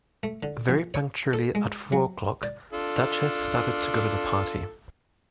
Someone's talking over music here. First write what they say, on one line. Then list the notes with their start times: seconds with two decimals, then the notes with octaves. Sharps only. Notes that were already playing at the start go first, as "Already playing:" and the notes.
Very punctually at four o'clock, Duchess started to go to the party.
0.23 A3
0.43 D3
0.69 A#1
0.94 C#5
1.33 A4
1.55 G#3
1.92 F#3
2.43 D5
2.73 D4 F4 A4